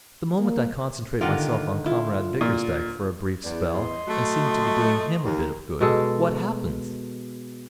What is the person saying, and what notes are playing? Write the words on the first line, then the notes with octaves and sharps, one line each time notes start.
The moment I concentrate myself on Comrade Bickersdyke for a brief spell, and seem to be doing him a bit of good, what happens?
A#3
D3 D#3 F4 G4 A#4 F#5
E4 F4
A#2
E2 D5
D#5 C6
F#3 A3
D#2 A#4
B2 G#3 A4